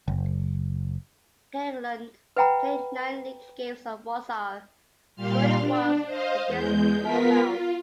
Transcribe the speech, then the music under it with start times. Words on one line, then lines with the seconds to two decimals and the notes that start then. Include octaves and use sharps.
Ekelund played nine league games for Walsall, scoring once against Bournemouth.
0.08 F#1
2.36 B4 E5 F#5 G5 A#5 B5
5.16 A#2 G3 F5 C6 F6
5.55 D4
6.05 C5 D#5 F5
6.45 E2 G#3 G6
7.00 B3 F4 A#4 B6
7.45 F4